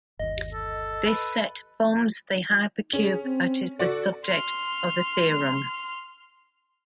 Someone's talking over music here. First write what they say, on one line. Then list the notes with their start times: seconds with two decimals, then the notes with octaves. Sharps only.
This set forms the hypercube that is the subject of the theorem.
0.19 G1 D#2 D#5
0.53 A4
1.06 B4
2.93 C#4 G#4
3.24 C4
3.79 F#4 A4 D5
4.25 C6 F6